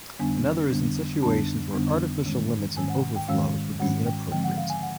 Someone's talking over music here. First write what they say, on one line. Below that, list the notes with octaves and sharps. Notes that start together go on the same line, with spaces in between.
Another is in situations where artificial limits and overflows would be inappropriate.
F2 D3 G3 B3 D4 G#5
F2 D3 G3 B3 D4
F2 D3 G3 B3 D4 A5
F2 D3 G3 B3 D4
G#2 D#3 G#3 C#4
G#2 D#3 G#3 C#4 G#5
F#5
G5
G#2 D#3 G#3 C#4 F5
G#2 D#3 G#3 C#4 F#5
G5
D3 F3 G#3 C4 G5
F#5
F5
G#5
F#5